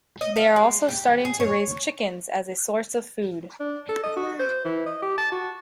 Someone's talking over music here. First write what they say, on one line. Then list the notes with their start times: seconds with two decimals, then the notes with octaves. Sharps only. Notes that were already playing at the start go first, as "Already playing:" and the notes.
They are also starting to raise chickens as a source of food.
0.21 D#5
0.36 F5
0.56 G#3
0.89 G4
1.25 G#4
1.40 C#5
3.60 D4
3.89 A4
4.04 D#5
4.17 F#4
4.40 C5
4.65 E3
4.86 D#5
5.02 G4
5.18 A5
5.32 F#4